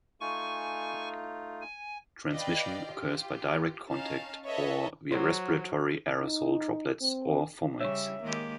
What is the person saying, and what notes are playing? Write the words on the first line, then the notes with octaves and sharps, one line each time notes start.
Transmission occurs by direct contact, or via respiratory aerosol droplets, or fomites.
A3 D#4 F4 G#5 C#6
G#5
B4 D5 D#5 F5 G5
F4 G4
C#4 D#4 C#5 F5 A5
A4 B4 C#5 D#5 E5
F#3 F#4 C5
D#4
C4
C#3 G3 C#5 E5 C#6
D#3 G#3 A#3 G4